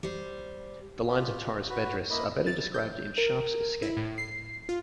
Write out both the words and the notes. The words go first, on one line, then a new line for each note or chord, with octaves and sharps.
The lines of Torres Vedras are better described in "Sharpe's Escape".
G3 C5
F4 G4
F#4 B4
A#3 E4 D#5 B5
A6
G6
A#4
E4
A2
C7
F4